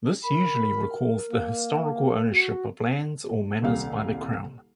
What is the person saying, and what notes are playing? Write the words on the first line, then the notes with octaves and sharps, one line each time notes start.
This usually recalls the historical ownership of lands or manors by the Crown.
A#4 B5
A#3
F#4
D#1 C2 F5